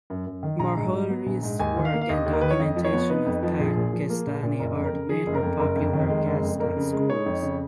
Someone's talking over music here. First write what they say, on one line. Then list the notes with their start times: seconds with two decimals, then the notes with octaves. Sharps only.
Marjorie’s work and documentation of Pakistani art made her popular guest at schools.
0.10 F#2
0.27 F#2
0.43 D#3
0.59 A#1 A#5
0.76 G#2
0.93 F#3
1.10 B3
1.26 A#1
1.43 G#2
1.59 D#2 G#5
1.76 D#3
1.85 F5
1.93 A#3
2.01 F5
2.09 D#2 D#5
2.26 D#2
2.33 A#4
2.41 D#3 B4
2.51 C#5
2.60 F2 D#5
2.76 F3
2.84 C#5
2.93 B3
3.10 D#4 B4
3.26 F2
3.43 F3
3.59 A#1 G#4
3.76 A#2
3.93 F3
4.10 A#3
4.26 A#1
4.43 A#2
4.59 F#1 A#4
4.76 F2
4.85 A#4
4.93 C#3
5.09 F3 G#4
5.26 F#1
5.35 A#4
5.43 F2
5.59 F#1 A#4
5.76 F2
5.93 D#3
6.10 G#3
6.26 F#1
6.43 F2
6.60 F2 A#4
6.77 C#3
6.93 G#3
7.09 D#4 C#5
7.26 F2
7.43 C#3